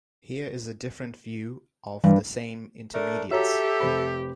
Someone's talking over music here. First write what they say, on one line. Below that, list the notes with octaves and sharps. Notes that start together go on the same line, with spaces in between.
Here is a different view of the same intermediates.
G2 E3
A3 D4 A#4
F#4 G4 A4 C#5 E5 A#5
F1 C5 B5